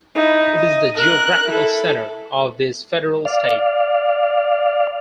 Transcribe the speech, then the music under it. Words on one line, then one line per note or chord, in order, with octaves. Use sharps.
It is the geographical center of this federal state.
D#4 E4
D#5
A#4 F#6
E4 A4
D5 F5